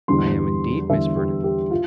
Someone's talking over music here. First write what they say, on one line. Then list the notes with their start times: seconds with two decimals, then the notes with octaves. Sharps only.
"I am, indeed, Miss Vernon."
0.08 E2 D3 G3 C6
0.90 E2 D3 G3 E5
1.17 G4
1.44 G4
1.71 F4